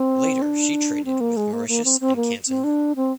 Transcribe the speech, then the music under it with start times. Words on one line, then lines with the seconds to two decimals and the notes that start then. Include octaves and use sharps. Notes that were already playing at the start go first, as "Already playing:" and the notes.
Later she traded with Mauritius and Canton.
Already playing: C4
0.42 D4
1.05 C4
1.21 A#3
1.37 G#3
1.53 A#3
1.69 A#3
1.85 C4
2.01 C4
2.16 A#3
2.48 C4
2.64 D4
2.96 C4